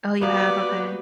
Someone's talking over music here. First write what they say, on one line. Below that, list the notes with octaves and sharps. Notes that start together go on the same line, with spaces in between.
Oh, you have? Okay.
A#3 B3 F#4 G4 B4 D5